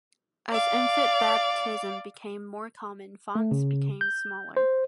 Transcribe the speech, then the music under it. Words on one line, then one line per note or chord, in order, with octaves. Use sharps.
As infant baptism became more common, fonts became smaller.
D5 F5
A3
C#3
G6
C5